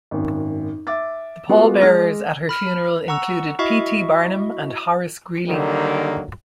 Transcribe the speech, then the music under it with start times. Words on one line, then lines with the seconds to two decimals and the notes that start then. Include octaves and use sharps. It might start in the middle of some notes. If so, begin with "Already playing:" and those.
The pallbearers at her funeral included P. T. Barnum and Horace Greeley.
0.11 G#1 F#2
0.87 E5 D6 A6
1.49 G#3 B3 F4 F#4
1.81 G#3 F6 A#6
2.49 B5 F6
3.08 F#5 A#5 C#6 E6
3.59 E4 F#4 D#5 E5 C#6
5.48 D3 D#3 F#3 G3 A#3